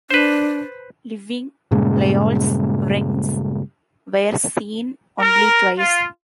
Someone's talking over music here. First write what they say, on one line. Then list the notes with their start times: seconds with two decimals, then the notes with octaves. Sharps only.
Living Lyall's wrens were seen only twice.
0.10 D4 B4 C5
1.71 G2 A#2 C#3 G#3
5.19 A#4
5.76 F4